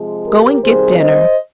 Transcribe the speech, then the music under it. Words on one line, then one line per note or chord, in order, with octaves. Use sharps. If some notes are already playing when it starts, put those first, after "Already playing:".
Go and get dinner.
Already playing: C3 F3 G#3
G4 A#4
C3 D#3 G3 G#4 C5
C5 D#5